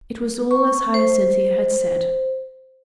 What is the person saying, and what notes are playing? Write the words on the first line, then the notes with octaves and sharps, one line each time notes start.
It was all as Hyacinthia had said.
C#6
C5